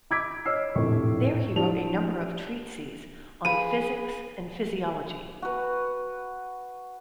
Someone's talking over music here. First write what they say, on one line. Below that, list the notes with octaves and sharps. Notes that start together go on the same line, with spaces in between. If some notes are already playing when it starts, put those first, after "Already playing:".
There he wrote a number of treatises on physics and physiology.
B5 D6 E6 G#6 B6 D7
C#5 D#5 E6 F6 C7
F1 A#1 A2 C#6
F3 D4 E4 G4 A5 F7
G#4 B4 F5 B5 D#7
F#4 B4